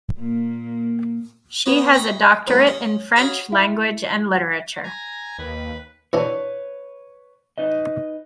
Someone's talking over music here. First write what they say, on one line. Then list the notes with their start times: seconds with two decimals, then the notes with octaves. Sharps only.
She has a doctorate in French language and literature.
0.17 A#2 A#3
1.66 B3 B4 C#5 D#5
1.94 D#5 A#5 B5 C#6
2.48 D#2 G#2 F3
2.67 C#4 D#6
3.16 F#4 G#4 C#5 D#5 F5 B5
3.52 E4
4.83 G#5 A#5
5.38 D#2 B4
6.13 B2 E3 D4 B4 C#5
7.58 D#4 B4 D#5